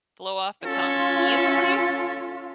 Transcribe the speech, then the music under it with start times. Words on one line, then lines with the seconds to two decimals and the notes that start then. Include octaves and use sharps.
flow off the tongue easily
0.66 C#4 F4 A4